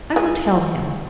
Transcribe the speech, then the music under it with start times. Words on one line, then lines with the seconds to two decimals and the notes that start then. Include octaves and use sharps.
"I will tell him."
0.16 G#3 G#4